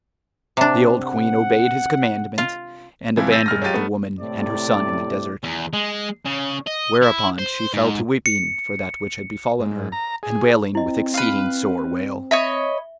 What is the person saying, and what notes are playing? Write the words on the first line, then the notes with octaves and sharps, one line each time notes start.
The old Queen obeyed his commandment and abandoned the woman and her son in the desert; whereupon she fell to weeping for that which had befallen her and wailing with exceeding sore wail.
C3 D4
F#5
F4
C3 E3 F3 G3 E4
E6 G6 A6 A#6 D#7
E1 F6 A#6
F#3 G#3 F4 G4 A6 D#7
A3 B3
A2 C3 D5
E2
G#3
C#3
D#5
E4
C5
G#2
C#7
G#2
A#5
G#4
C4 E4 D#5
B4 F5
C#5 D#5 E5 B5